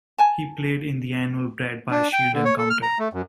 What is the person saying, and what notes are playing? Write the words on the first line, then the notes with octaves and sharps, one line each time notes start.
He played in the annual Bradby Shield Encounter.
G#5 A5
D4
G5
D3
C#5
A4
F6
A#5
A3
F#2